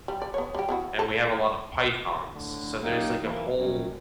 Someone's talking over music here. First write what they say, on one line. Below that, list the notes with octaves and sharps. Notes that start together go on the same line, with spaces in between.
and we have a lot of pythons. So, there's like a whole
G3
D5
B3 C#5
G3 G4
B3 E4 F#4
A4
A2 D3
F#2 A#3 D#4 G4
B1 E3 A#3
C#2 F#2 G3